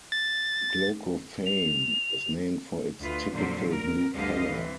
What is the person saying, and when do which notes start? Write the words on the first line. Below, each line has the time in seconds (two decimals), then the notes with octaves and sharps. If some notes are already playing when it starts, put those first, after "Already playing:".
Glaucophane is named for its typical blue color.
0.12 A6
1.46 F7
3.02 D2 F4 B4
3.34 F2 A#2 D3 F#3 C5
3.73 A#4
4.15 D2 G2 D3 G4 D#5 F5
4.48 E3 C4